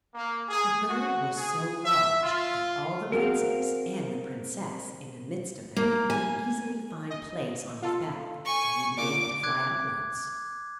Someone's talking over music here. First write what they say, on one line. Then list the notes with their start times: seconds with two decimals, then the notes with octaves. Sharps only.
The bird was so large that all the princes, and the princess in the midst of them, could easily find place on his back, and he began to fly upwards.
0.14 A#3
0.48 G#4
0.87 F#4
1.35 G#4
1.85 E5
2.22 F4
3.12 C4 F#4 G#4 A#4 F5
5.77 A#3
6.10 G#5
7.10 D#5
7.82 F4 A4
8.45 G#5 C#6
8.97 A#2 D6
9.43 D6 F#6 G#6